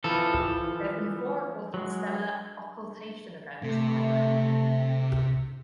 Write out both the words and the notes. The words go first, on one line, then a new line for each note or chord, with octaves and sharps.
There have been four reported stellar occultation events by Irene.
E3 F3 A4
F#3 G#3
C3 A3